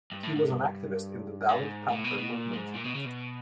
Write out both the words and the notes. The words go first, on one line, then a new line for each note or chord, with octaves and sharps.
He was an activist in the Dalit Panther movement.
G2
A2
A2
G2
G#2
A2
B2
B2
A#2
G#2
A#2
B2
C#3
B2